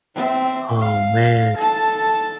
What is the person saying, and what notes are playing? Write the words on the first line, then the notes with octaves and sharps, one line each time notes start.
Oh, man.
C4 E5
F5
A4 A5